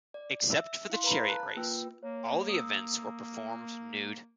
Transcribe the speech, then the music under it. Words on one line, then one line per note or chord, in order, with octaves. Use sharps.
Except for the chariot race, all the events were performed nude.
D5
E5 E6
E4 F5 C6
B4 F5 A#5 B5
A5 F#6
A#3 F4 B4 G5 E6
A#3 C#5
D#6 E6